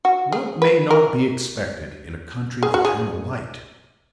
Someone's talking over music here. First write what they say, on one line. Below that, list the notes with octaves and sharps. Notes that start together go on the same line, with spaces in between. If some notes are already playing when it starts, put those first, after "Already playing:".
What may not be expected in a country of eternal light?
F#4
G#4
B4
A#4
G#4
F#4
G#4